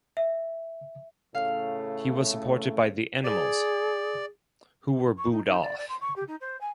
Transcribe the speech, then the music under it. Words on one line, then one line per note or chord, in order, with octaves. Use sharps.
He was supported by the Animals, who were booed off.
E5
A2 C#3 A3 F5
G#4 D5
C#6
D#4
D#4
D5
D5
C6
C#6
G4
D#4
C5
G#5